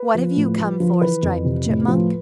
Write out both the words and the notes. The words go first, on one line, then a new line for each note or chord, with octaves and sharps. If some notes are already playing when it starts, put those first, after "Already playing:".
"What have you come for, Striped Chipmunk?"
Already playing: B4
F3
A2
F3
F3
E3 B4
F2
C3
A2
F3